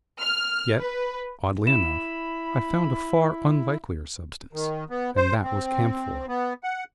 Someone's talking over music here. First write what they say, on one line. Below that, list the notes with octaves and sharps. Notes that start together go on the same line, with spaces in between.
Yet, oddly enough, I found a far unlikelier substance, and that was camphor.
F6
B4
E4 B5 E7
D#3
B3
C5
C4
B3
F#5